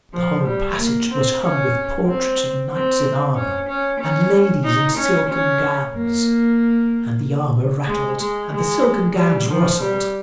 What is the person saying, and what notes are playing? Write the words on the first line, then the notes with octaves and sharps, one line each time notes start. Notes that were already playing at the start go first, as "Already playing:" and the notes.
The whole passage was hung with portraits of knights in armor, and ladies in silken gowns; and the armor rattled, and the silken gowns rustled!
F3
G3
A#3
C4
C#4
C4
C4
C#4
C#4
C#4
D#4
C#4
C#4
A#3
G#3
G#3
G#3
G3
F3
G3